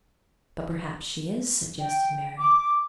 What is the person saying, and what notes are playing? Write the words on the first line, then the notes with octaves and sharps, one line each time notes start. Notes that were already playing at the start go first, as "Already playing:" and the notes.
"But perhaps she is," suggested Mary.
G5
D6